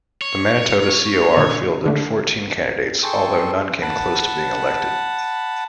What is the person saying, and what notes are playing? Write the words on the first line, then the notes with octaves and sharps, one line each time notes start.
The Manitoba CoR fielded fourteen candidates, although none came close to being elected.
C#5
A#2 D3
D3 A3
G#4 A4 G5 C6 C#6
F#5 A5 B5